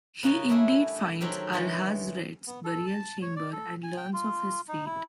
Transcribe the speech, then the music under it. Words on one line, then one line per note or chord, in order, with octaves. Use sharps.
He indeed finds Alhazred's burial chamber and learns of his fate.
C#3 A#3 F#4 D#5 G#5 A5
G3 A3 D4 E4 G#4
D#3 F#3 C4 C#4 G4 A4
D3 E3 G#3 C#4
B3
A4
A5
C#5
D5
A4
G#5
G5
F4
D#4
E4